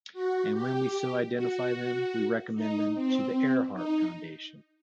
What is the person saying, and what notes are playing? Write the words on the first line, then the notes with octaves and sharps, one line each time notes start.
And when we so identify them, we recommend them to the Earhart Foundation.
F#4
G4
F#4
D#4
C4
D#4